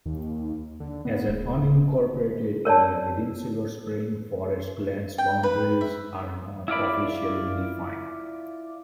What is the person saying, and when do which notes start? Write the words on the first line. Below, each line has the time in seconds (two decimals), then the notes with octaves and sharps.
As an unincorporated area within Silver Spring, Forest Glen's boundaries are not officially defined.
0.06 D#2
0.80 D3
1.05 B3
1.28 D1
2.65 A#4 C#5 D5 A5
5.18 G5
5.43 B4
5.81 E5
6.68 E4 F4 D5 B5